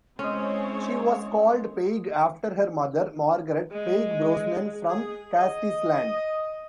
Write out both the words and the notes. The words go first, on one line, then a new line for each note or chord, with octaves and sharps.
She was called Peig after her mother, Margaret "Peig" Brosnan, from Castleisland.
G#3 C4 C#4 E4 C5 C#5 D#5
G#3
G#4
D#5